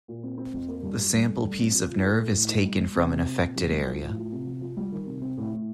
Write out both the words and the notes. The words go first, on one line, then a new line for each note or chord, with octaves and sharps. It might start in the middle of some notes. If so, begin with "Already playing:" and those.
The sample piece of nerve is taken from an affected area.
A#2
C4
C4
F2
A#3
G2
G2
G2
A3
G2
C4
F3
F3
A3
A2
A2
D#4
G3
G3
C3
C4
C4
A#2
C2
G3
F3
A2
F3
C3
F3
F3
G3
D#3
C3
C4
A2
A2